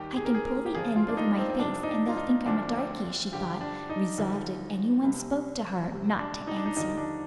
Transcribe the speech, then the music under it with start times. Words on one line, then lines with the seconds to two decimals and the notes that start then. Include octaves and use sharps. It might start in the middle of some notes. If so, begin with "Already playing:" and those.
"I can pull the end over my face, and they'll think I'm a darky," she thought, resolved if anyone spoke to her not to answer.
Already playing: D#2 D#3 G3 G4
0.16 G#4
0.25 A#4
0.34 G#4
0.46 A#4
0.66 G4
0.74 G2 D3 F3 G#4
0.96 F4
1.08 D4
1.17 D#4
1.39 C4
1.50 C4
1.60 F2 C3 F3 D4
1.83 D#4
1.89 D4
2.08 F4
2.17 D#4
2.46 D2 D3 F3 D4
2.75 C4
3.32 G2 D3 F3 G4
3.61 D4
3.89 D#4
4.18 D#2 D3 F3
5.04 C2 C3 G3
5.91 C2 C3 G3
6.19 D4
6.47 D#4
6.57 D4
6.65 D#4
6.77 D#2 D3 F3 D#4
6.97 D4